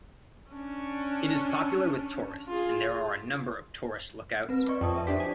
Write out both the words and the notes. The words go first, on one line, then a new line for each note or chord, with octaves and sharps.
It is popular with tourists, and there are a number of tourist lookouts.
C#4 D4
F4 G#4
C4 B4
D5 D#5 C#6
F2 G5 A5 D#6
B4 E5
D4 G4 C5 B6
G#5